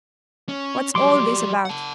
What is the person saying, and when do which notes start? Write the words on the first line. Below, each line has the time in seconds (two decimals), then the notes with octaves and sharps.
'What's all this about?
0.49 C#4
0.95 F#3 G3 C6 D6
1.65 F#5 A5